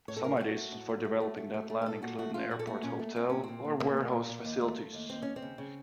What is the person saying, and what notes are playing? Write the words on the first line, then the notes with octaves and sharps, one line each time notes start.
Some ideas for developing that land include an airport hotel or warehouse facilities.
A2 C#5
A4
A2 A#4
A4
A3 F#4
A3
A2
A2
A3
A3
A3
A3
A3
A#4
A#2 A4
A#2 F#4
A3 F#4
A3 F4
A#2 F#4
A4
A3 F#4
A#2 C#4
A3
A3 C4
A#2 C#4
A#2 C4
A#2
A#2 A#3
A3
A#2
A#2
D#2
A3
A3
D#2
D#2 C4
D#2 C#4
C4
C#3
C#3